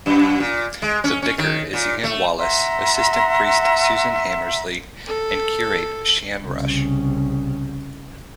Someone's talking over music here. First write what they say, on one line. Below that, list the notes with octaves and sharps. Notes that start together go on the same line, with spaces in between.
The vicar is Ian Wallis, assistant priest Susan Hammersley and curate Shan Rush.
F#2
A#2
G#3
C#4
C#4
D#3
A#2
A3
E5 F#5 A#5 C6
A4
C2 C#3